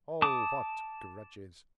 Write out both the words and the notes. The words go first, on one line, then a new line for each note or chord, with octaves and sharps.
Oh, what grudges!
A5 D6 D#6